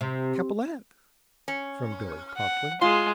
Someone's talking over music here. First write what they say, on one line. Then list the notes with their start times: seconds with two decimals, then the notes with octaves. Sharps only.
"Capellette," from Billie promptly.
0.01 C3
1.48 C#4
2.37 F#5
2.81 G#3 F4 C6